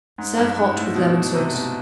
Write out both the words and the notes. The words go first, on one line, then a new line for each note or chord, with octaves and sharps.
Serve hot with lemon sauce.
G#2
G2
G#2
A2
B2
C3
B2